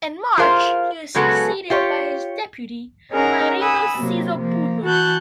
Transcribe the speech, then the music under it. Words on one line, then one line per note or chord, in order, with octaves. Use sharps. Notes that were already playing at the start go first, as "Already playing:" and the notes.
In March he was succeeded by his deputy Marinos Sizopoulos.
F4 G#4 A#4 C5 F5
C#3 F#3 G#3 B3 F#4 A4
F4 G4 C#5
C#4 D#4 G#4 A#4 F#5 A#5
F#5 G#5 B5 D#6 E6
C3 F#3 A#3
F3 A#3
E3 F#4 A5 F#6 G6